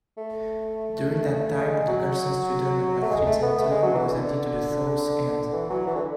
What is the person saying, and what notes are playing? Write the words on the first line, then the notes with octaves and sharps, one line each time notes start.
During that time the Carson Student Athlete Center was added to the south end.
A3
G#3
F#3
A3
G#3
A3
B3
A3
G#3
F#3
E3
D3
E3
F#3
E3
D3